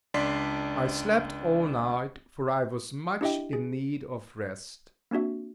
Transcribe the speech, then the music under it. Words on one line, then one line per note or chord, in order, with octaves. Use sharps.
I slept all night, for I was much in need of rest.
C#2 D4 D5 C6 B6 C7
D4 E4 G4 D#5 E5 G5
G#4
A#3 C4 D4 F#4 E5